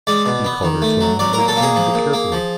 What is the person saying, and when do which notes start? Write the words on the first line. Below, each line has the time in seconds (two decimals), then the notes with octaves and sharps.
He called her to him and examined it carefully.
0.07 G#3 D5
0.26 B2
0.45 B3
0.63 D#3
0.82 A3
1.01 F#3
1.19 F#3 D5
1.33 A#4
1.38 A#2
1.48 A4
1.56 A#3
1.62 G#4
1.76 F3
1.94 A#2
2.13 A#3
2.32 F3